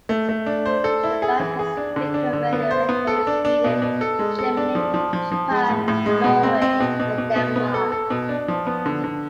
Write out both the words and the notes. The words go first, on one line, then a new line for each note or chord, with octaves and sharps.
The band has frequent radio airplay in Sweden, Germany, Japan, Norway and Denmark.
A3
A3
D4
C5
A4
E4
G#4
E3
G#4
D4
D3
D4
D3
B3
C5
B3
A4
D4
D4
B2
B2
A4
G#3
A4
D4
F3
F3
F3
F3
G#3
A2
A2
G#3
B2
C4
C4
B2
B2
B2
B2
B3
A4
A4
B2
D4
F3
B3
D3
D3